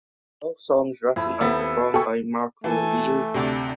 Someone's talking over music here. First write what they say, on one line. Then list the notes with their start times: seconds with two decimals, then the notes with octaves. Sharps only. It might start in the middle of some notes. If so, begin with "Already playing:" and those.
All songs written and performed by Marko Laiho.
1.16 F2 E4
1.41 D#2 B3 C4 G4 A4 E5
1.94 G#4 A4 G5 C#6
2.64 E3 A3 A4 G#5
3.34 D2 C3 D4